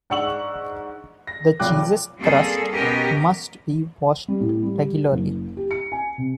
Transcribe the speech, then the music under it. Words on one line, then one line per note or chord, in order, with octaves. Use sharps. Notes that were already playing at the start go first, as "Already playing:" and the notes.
The cheese's crust must be washed regularly.
G#2 D4 F#5 C#6 E6 F#7
A#6
F1 B1 F4 G5 D6 F#6
G3 A#3 C4 C#4 G#4 A4
B2 B3 C#4 G4 A#4 D#5
G3
A2
G3
F#1
G4
C#7
G#5
C3